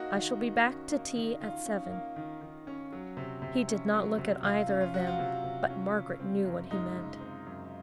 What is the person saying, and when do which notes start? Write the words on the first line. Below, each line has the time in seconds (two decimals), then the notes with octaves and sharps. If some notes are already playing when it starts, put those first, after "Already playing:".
I shall be back to tea at seven.' He did not look at either of them, but Margaret knew what he meant.
Already playing: A#3 D#4 F#4
0.15 D#3
0.40 D#3
0.65 C#4
0.90 A#3
1.16 D#3
1.40 D#3 F4
1.66 C#4
1.91 A#3
2.16 D#3
2.41 D#3
2.67 C#4
2.92 F#3
3.17 C3
3.42 C3
3.68 C#4
3.93 F#3
4.18 C3
4.43 C3 F4
4.68 C#4
4.81 F4
4.94 F#3 F#4
5.07 F4
5.19 C3
5.44 C3
5.70 C#4
5.95 C#3
6.20 C4
6.45 F#2
6.71 G#3 D#4
6.96 C#3
7.21 C4
7.47 F#2